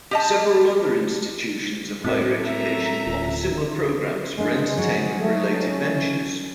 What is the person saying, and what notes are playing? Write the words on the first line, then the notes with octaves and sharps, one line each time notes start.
Several other institutions of higher education offer similar programs for entertainment related ventures.
G4 D#5 A5
A2 C4 F#4 A4 A#4
A3 E5 A#5
D1 C#4 F4
G#3 A#3 D4
F#3 D#4 G#4
A3
C#4